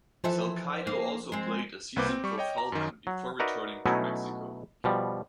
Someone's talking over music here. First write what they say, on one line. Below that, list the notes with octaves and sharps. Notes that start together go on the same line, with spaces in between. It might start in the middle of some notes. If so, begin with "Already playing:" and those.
Salcido also played a season for Fulham before returning to Mexico.
E3 F3 A4 C5 E5
A#3
G#3 C4
C2 A#3 B4 C5 D6 G6
C4
G3 C#6
C#5 D#5 G5
A#5
F#2 D#3
F#3
D#4 F#4 A#4 B4 D5 E5
B2 F#3 A3 C#4 D#4 E4
B2 F3 G3